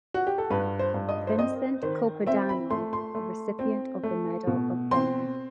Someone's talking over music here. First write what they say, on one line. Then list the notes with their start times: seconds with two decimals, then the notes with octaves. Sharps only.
Vincent Capodanno, recipient of the Medal of Honor.
0.14 F#4
0.27 G4
0.38 A4
0.50 G2 B4
0.79 C5
0.94 G2
1.09 D#5
1.27 C5
1.38 C4 D#5
1.82 D#3 C5
2.26 C4 E5
2.49 B5
2.70 A3 C6
2.93 C6
3.15 A3
3.59 C4
4.03 A3
4.47 B2
4.91 C4 C6